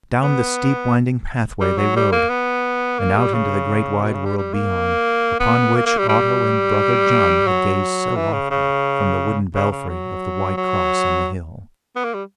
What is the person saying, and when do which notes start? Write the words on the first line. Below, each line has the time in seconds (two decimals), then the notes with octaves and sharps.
Down the steep winding pathway they rode, and out into the great wide world beyond, upon which Otto and brother John had gazed so often from the wooden belfry of the White Cross on the hill.
0.23 B3
1.60 G3
1.78 F#3
1.96 G3
2.12 A#3
2.29 B3
2.99 A#3
3.17 G3
3.34 C#3
4.03 B2
4.14 C#3
4.25 G3
4.37 G3
4.54 A#3
5.40 B3
5.75 A#3
5.86 A#3
5.98 G3
6.09 G3
7.47 F#3
8.16 E3
8.33 C#3
8.50 C#3
9.55 C#3
9.71 C#3
9.89 F#3
10.57 F#3
11.96 B3
12.04 A#3
12.14 G3